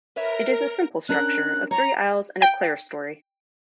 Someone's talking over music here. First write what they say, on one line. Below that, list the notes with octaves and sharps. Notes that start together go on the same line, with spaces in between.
It is a simple structure of three aisles and a clerestory.
A#4 B4 C#5 E5
C#4 D4 A#4 F#6
C#5 A#5
G5